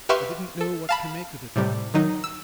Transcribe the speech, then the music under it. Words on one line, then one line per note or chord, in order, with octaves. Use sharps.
I didn't know what to make of it.
G4 B4 E5 F5 C6 C#6
A4
F5 A5 B5
A2 C3 G3
D#3 F#3 D#4
E6